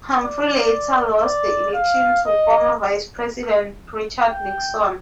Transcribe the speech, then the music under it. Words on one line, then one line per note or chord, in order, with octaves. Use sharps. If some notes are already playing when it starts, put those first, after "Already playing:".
Humphrey later lost the election to former vice president Richard Nixon.
D5
D5
F5
D#5
G5